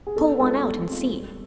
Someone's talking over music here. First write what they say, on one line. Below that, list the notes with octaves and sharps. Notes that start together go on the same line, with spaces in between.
"Pull one out and see!"
G#4
B2 A4
G#3 C4 F4 A4
B2
G#3 C4 F4
G3